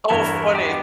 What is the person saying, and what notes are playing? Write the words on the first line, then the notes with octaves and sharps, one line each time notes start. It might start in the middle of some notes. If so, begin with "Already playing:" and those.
Oh, funny.
E2 G2 B3 E4 A#4 C#5
B3 D4 G4